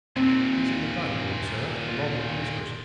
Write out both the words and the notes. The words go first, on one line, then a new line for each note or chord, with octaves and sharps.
'He's in the dining-room, sir, along with mistress.
D#2 A#2 C4